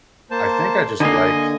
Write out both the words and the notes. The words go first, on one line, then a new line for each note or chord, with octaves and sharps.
I think I just like
A#3 C5 A5
D3 A#3 D#5 G#5